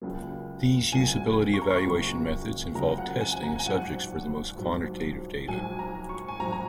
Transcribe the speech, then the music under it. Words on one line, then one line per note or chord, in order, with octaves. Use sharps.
These usability evaluation methods involve testing of subjects for the most quantitative data.
C#2 C#3 F#3 A#3
C#2 C#3 F#3 A#3 G#5
G#5
C#6
A#5
C#6
C#2 C#3 F#3 A#3
C#2 C#3 F#3 A#3 A#5
F#5
G#5
G#5
A#5
G#5
A#1 G#2 F#3 F#5
A#1 G#2 F#3
A#1 G#2 F#3 G#5
A#5
C#6
G#5
A#1 G#2 F#3 A#5
A#5